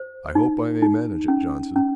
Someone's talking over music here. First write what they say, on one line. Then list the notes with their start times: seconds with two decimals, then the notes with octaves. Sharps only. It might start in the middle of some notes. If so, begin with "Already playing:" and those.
"I hope I may manage it, Johnson."
Already playing: C5
0.35 D#4
0.82 D#4
1.28 C#4
1.76 C#4